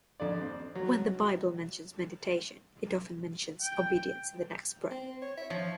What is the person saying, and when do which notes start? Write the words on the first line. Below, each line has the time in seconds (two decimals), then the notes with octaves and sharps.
When the Bible mentions meditation, it often mentions obedience in the next breath.
0.20 F2 D3 D5
0.41 C4
0.75 F#3
3.61 G5
4.91 C4
5.22 C#5
5.37 E5
5.50 F3 C#5